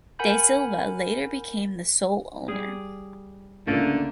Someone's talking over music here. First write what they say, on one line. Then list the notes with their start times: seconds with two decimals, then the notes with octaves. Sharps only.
De Silva later became the sole owner.
0.19 A#4 F#5 G#5 B5 G6
2.48 G3 G#4
3.67 C#2 D3 A3 A#3